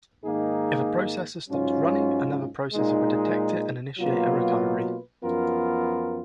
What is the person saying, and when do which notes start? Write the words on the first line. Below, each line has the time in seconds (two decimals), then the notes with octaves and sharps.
If a processor stopped running, another processor would detect it and initiate a recovery.
0.23 G#2 D#3 A#3 D#4 G#4
1.48 G#2 F#3 C#4 F4
2.73 A#2 G#3 D#4
3.98 B2 F#3 A#3 F4 B4
5.22 F#2 F3 B3 F4 A#4